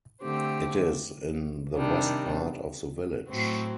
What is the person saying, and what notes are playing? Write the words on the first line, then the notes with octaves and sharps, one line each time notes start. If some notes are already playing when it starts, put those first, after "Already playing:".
It is in the west part of the village.
D3 A3 C4 G4
C3 D#3 G3 D4
A2 F#3 C4 F#4